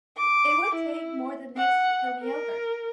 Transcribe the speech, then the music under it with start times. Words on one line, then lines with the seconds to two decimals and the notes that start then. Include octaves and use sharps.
It would take more than this to keel me over.
0.17 D6
0.74 E4
1.57 F#5
2.22 A#4